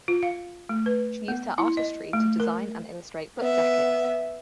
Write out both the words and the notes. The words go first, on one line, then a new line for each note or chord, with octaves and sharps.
She used her artistry to design and illustrate book jackets.
F4
F5
A3
B4
B3
E4
D#5
A3
A#4
B3 E5